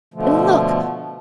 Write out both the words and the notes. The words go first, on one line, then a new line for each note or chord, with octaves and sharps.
And look!
B2 D3 F3 A3